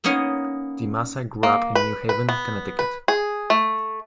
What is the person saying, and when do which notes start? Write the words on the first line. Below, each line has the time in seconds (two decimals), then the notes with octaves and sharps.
DiMassa grew up in New Haven, Connecticut.
0.04 A#3 B3 C#4 D#4 A#4
1.43 A#3
1.76 B4
2.09 B4
2.29 B3
2.79 B4
3.08 G#4
3.50 A3